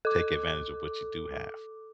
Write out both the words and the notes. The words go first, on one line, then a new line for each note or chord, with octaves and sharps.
take advantage of what you do have.
A4 D6